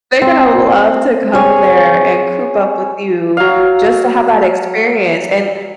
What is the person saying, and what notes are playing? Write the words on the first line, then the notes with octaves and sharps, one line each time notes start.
they're gonna love to come there and coop up with you just to have that experience, and
C4
G#4 C#5 G#5
F#3 F5